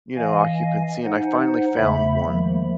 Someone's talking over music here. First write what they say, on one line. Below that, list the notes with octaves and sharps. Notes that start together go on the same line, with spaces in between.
you know, occupancy, and I finally found one.
E3 D#5 F5 G#5
D#4 C5 F#5
E2 C#3 A3 E5 B5
D#3 F3 G#3 A#3